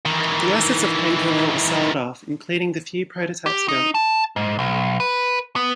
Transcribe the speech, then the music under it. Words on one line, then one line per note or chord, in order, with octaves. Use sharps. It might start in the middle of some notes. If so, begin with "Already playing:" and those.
The assets of Pancor were sold off, including the few prototypes built.
D#3 E3
G4
D#4
A5
G#2
B1
B4
B3